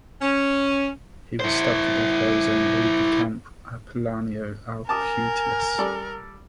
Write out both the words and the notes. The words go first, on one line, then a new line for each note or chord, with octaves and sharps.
He was stabbed to death by his own aide-de-camp, Apolinario Alcuitas.
C#4
E4 C5
A#4 G#5 A5 D6 D#6
G3 A4 D5